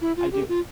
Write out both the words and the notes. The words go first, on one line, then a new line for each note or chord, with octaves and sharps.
I do.
E4
F4
G4
F4